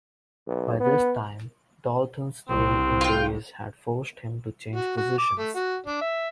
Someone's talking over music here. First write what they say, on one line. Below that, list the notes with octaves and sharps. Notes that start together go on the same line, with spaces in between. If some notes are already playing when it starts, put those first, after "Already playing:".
By this time, Daulton's knee injuries had forced him to change positions.
B1
B3
C2 C4
F4 G5
F#4
F#4
D6
A3
F#4
D4
E5